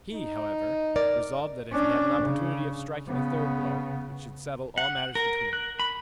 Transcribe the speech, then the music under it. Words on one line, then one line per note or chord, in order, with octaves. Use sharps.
He, however, resolved that if he had an opportunity of striking a third blow, it should settle all matters between them.
D#4
A#4 D5
C#4 D4
C#3
C#3 B3
F#5
A#4
F#6
B5